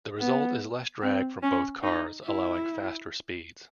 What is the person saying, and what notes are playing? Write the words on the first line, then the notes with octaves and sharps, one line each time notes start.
The result is less drag for both cars, allowing faster speeds.
B3
C4
C#4
D#4
E4